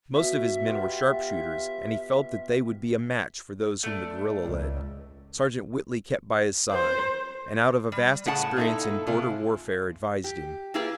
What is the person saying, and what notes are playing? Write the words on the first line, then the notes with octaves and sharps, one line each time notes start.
Most of his men were sharpshooters and he felt that they would be a match for those whom the guerrilla led. Sergeant Whitley kept by his side, and out of a vast experience in border warfare advised him.
B2 E5
B3 F4 G4
A3 D4
C#2
C5
G3
A2 C#3 G#4 F#5 A5
A#2 D#4 E4 A4
C3 G#3 F4
G4
A#3 E4 F4 G4 G#4 B4